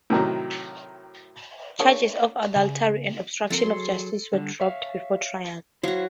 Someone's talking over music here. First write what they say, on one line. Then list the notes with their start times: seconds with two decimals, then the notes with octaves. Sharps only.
Charges of adultery and obstruction of justice were dropped before trial.
0.10 A2 C3 D#3 F#3
1.80 A#3 D4 G#4 C#5
2.56 C#3
3.50 F3 C4 A4 A#4 C6
3.63 F#3 G#4
4.33 D3 G3
4.60 C#5 E5 F5
5.83 F#3 E4 F#4 C5 F5